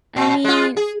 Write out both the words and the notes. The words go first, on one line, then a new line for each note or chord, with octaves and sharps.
I mean,
A#2
G#3 F4
G#4